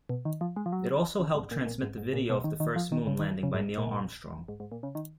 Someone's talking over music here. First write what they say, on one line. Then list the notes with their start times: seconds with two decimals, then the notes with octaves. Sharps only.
It also helped transmit the video of the first Moon landing by Neil Armstrong.
0.09 B2
0.25 D#3
0.41 F3
0.56 G#3
0.66 F3
0.72 F#3
1.20 C#3
1.35 G#2
1.51 A#2
1.66 A#2
1.82 G#2
1.97 G#2
2.13 A#2
2.30 B2
2.44 D#3
2.60 D#3
2.76 F3
2.92 D#3
3.07 C#3
3.19 D#3
3.43 C#3
3.54 G#2
3.78 A#2
4.48 G#2
4.60 G#2
4.72 A#2
4.83 C#3
4.95 D#3